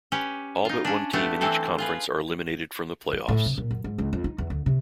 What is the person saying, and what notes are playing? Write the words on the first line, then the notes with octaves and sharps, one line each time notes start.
All but one team in each conference are eliminated from the playoffs.
C#4 G4 B4
D#4 F4
C#4 D4
A3 B3 D4 G4
E3 F#3 C4 A4
F4 G#4 B4
E3
A2
C3
A#2
F#2
G#2
C#2
F2
D#4
E2
D2
C3